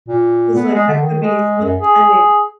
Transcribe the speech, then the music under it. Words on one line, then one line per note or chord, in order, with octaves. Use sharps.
'Cause like that could be someone pretending.
A#2
B3
G#3
D3
D#3
G#3
F#2
G#4